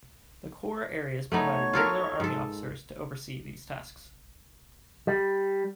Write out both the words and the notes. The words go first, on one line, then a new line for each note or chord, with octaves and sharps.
The corps areas provided Regular Army officers to oversee these tasks.
A3 B3 D#4 C#5 C#6
F4 A4 A#4
G#2 A4
G3